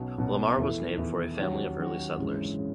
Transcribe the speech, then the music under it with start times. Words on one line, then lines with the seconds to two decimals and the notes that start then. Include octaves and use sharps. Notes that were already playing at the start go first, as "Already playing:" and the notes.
Lamar was named for a family of early settlers.
Already playing: B1 B2 F#3 C#4 F#4
0.18 B1 B2 F#3 C#4 F#4
0.57 E2 D#3 A3 E4
0.97 E2 D#3 A3 E4
1.37 D#2 D#3 F#3 C#4 F#4
1.78 D#2 D#3 F#3 C#4 F#4
2.18 G#1 F#2 C#3 E3 G#3
2.59 C#3